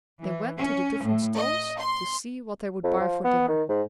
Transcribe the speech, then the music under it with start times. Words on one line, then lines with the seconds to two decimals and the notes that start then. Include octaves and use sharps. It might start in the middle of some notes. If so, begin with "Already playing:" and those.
They went to the different stalls to see what they would buy for dinner.
0.21 E3
0.58 C#4
1.03 A2
1.37 D#5
1.78 C6
2.84 F2
3.00 F3
3.24 B3
3.49 D#3
3.69 G#2